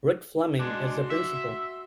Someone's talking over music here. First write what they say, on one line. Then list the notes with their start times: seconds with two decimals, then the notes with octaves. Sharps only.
Rick Fleming is the Principal.
0.59 G#3 D4 F#4 C6
1.10 E5